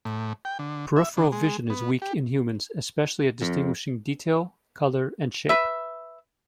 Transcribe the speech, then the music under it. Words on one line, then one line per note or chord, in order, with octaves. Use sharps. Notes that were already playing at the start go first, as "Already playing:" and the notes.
Peripheral vision is weak in humans, especially at distinguishing detail, color, and shape.
A2
G5
D3
E5
D3
G#3
B3
G4
F2
B4 E5